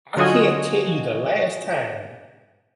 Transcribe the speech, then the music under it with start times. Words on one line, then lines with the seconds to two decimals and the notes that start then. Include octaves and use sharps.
I can't tell you the last time
0.17 D3 F#3 F4 F#4 D#5 G#5